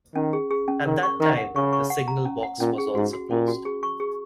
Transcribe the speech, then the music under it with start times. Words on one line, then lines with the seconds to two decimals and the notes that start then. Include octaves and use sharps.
At that time the signal box was also closed.
0.15 D#3 C#4
0.33 G#4
0.51 G#4
0.68 C#4
0.85 D#3 A#4
1.03 C#6
1.20 D#3 A#4
1.38 F#5
1.56 C#3 C#6
1.73 C#6
1.90 F#5
2.08 A#5
2.25 C#4
2.43 F#5
2.60 A#2 C#4
2.78 G#4
2.95 G#2 F#4
3.13 F#4
3.30 A#2 C#4
3.48 F#4
3.65 G#4
3.83 C#6
4.00 G#4